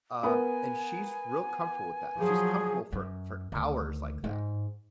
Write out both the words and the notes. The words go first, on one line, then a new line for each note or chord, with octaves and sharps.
Um, and she's real comfortable with that. She's comfortable for for hours like that.
B3 A#4 G#5
F3 F#3 G#4
F#2
D2 D#3
G#2